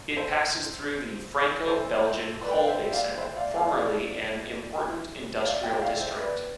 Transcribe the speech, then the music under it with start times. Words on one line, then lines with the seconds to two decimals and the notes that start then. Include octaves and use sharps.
It passes through the Franco-Belgian coal basin, formerly an important industrial district.
0.16 A4 C5
1.68 A4 C5
2.42 B4 D5
2.51 G5
2.60 F5
2.68 C5 E5
2.93 D5 F5
3.18 C5 E5
3.36 D5 F5
3.55 D5 F5
3.74 D5 F5
5.44 D5 F5
5.63 E5 G5
5.81 D5 F5
6.00 C5 E5
6.20 B4 D5